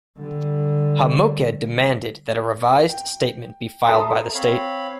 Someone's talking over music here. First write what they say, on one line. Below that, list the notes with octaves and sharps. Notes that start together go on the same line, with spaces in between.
HaMoked demanded that a revised statement be filed by the state.
D3 G3
G5
A4 E5 A5 A#5 C6 D#6
C4 C#5 F5 B5